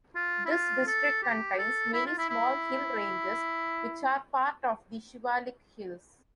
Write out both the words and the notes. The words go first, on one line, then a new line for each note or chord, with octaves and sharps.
This district contains many small hill ranges which are part of the Shivalik Hills.
F4
E4
F4
A4
G4
A4
E4
F4
E4
E4